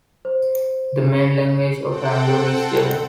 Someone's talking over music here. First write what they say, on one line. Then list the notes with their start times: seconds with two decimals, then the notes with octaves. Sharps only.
The main language on Amrum is German.
0.25 C5
1.84 C4 A4 F#5 G5